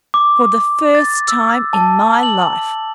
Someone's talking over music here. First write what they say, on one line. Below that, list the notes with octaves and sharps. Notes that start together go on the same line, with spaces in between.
"For the first time in my life!"
D6
A6
E6
A5
F#7